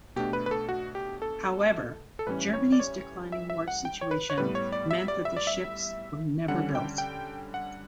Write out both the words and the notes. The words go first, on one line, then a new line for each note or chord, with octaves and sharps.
However, Germany's declining war situation meant that the ships were never built.
B2 A3 D4 G4
B4
B4
A4
F#4
G4
A4
A4
A2 E3 G3 C#4 B4
C#5
D5
C#5
E5
E5
F#5
G5
C#5
B4
C#5
A2 G3 B3 B4
C#5
D5
E5
D5
E5
D5
E5
D3 G3 C#4 F#5
G5
G5
F#5